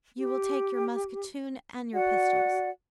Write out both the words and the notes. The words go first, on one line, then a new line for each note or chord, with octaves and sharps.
"You will take your musketoon and your pistols."
G4
F#4 D5 F#5